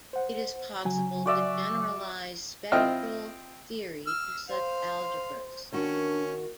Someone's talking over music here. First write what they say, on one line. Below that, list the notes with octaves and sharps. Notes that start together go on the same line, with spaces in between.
It is possible to generalize spectral theory to such algebras.
C5 F#5
C#3 F#3 G#5
F#4 D5 E5
C4 E4 F4 D#5 G5 F6
E6 F6
C5 F5
D#3 A#3 C#4 D4 F#4